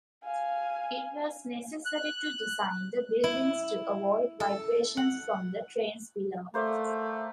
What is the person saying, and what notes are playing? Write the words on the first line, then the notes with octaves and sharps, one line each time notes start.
It was necessary to design the buildings to avoid vibrations from the trains below.
F5 G#5
F#6
E4
A4
F#5
A3 A#3 C5 D5